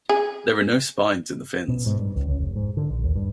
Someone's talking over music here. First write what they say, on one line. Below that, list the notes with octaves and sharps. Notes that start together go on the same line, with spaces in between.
There are no spines in the fins.
G#4
B2
G#2
G2
C#2
C#2
F1
G#2
D3
A#1
D#2
G2